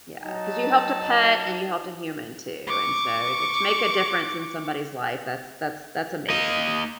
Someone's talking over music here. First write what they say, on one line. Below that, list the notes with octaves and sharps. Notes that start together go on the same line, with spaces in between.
Yeah, 'cause you helped a pet and you helped a human too, and so th to make a difference in somebody's life, that's that's that's amazing.
F#3 D#4 A5
C#6 D6
A#3 D#5